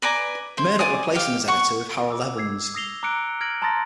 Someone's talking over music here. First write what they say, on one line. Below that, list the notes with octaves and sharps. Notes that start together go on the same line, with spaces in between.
Murdoch replaced him as editor with Harold Evans.
B4 D5 G#5 A#5
E4 C5
D5 G#5 D#6
G4 F5
F#5 C#6
D6 E6
D6 E6 G#6 C7
D#6 E6 A#6 C7 F7 G7
A#5 D6 E6 F#6 C#7 D7
F6 G#6 A#6 D7 F#7
A5 A#5 C6 D#6 A6 A#6